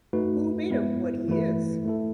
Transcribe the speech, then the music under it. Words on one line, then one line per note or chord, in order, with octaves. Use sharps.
Who made him what he is?
A3 D#4 F#4 B4
G#3 B3 E4
E3 A3 E4 B4
A3 E4 A4